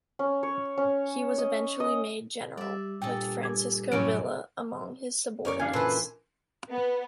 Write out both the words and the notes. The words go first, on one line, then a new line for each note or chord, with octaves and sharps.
He was eventually made general, with Francisco Villa among his subordinates.
C#4
C#5
C#4
D#5
D#5
G3 D5 E5
G2 A#2 G#4 A4 G5
D6 G#6
F#2 A2 C3 C#4 D7
F#2 A#4 C#5 D5
B3 D4 F5 G#5
A#2 E3 A4 B4 C5
B3